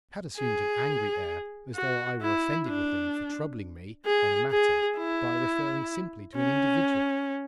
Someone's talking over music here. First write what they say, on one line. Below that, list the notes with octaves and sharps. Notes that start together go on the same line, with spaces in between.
I had assumed an angry air, as though I were offended with him, for troubling me on a matter by referring simply to an individual.
G#4
F#4
E4
D4
G#4
G#4
E4
C#4